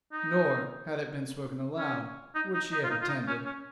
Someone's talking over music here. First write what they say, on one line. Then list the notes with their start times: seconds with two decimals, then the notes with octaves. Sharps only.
Nor, had it been spoken aloud, would she have attended.
0.12 D#4
1.79 C#4
2.35 D#4
2.54 D#4
2.72 D#4
2.84 F4
2.90 D#4
3.02 F4
3.09 D#4
3.27 C#4
3.46 C#4